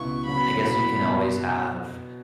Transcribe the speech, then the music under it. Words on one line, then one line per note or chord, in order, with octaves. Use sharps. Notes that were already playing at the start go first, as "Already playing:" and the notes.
I guess you can always have,
Already playing: C#2 B2 B3 E4 C#6
C#3 F#3 B3 B5
B2 F#3 B3 E4 B5
B2 B3